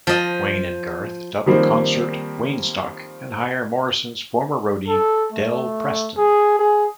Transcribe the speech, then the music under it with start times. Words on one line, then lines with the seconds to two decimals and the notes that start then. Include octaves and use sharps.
Wayne and Garth dub the concert "Waynestock" and hire Morrison's former roadie, Del Preston.
0.07 F3 D#5
1.46 D#3 F3 G3 A#3 C4 D#4
4.88 A4
5.32 A3
6.17 G#4
6.59 G#4